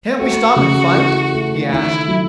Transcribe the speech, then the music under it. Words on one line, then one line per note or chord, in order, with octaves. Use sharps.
"Can't we stop and fight?" he asked.
A3 F#4
C#3
E3
A3
D#3 E4
F#3